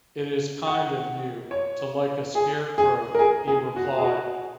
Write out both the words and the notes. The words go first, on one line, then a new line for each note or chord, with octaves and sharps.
"It is kind of you to like a Scarecrow," he replied.
F#5
C#5
G#4
G#4
A#4
G#4
G#4
F#4
G#4
F#4